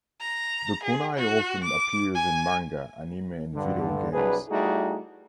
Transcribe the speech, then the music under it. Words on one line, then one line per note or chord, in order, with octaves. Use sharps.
The kunai often appears in manga, anime and video games.
A#5
G#4
F#4
D6
G#5
G2 D3
C2 F#3 D4 G#4 B4
G3 A3 D#4 E4 F#4 G#4